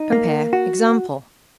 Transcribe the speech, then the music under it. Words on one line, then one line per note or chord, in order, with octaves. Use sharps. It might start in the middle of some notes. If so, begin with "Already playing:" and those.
Compare EXAMPLE.
Already playing: D#4
A#3
F#4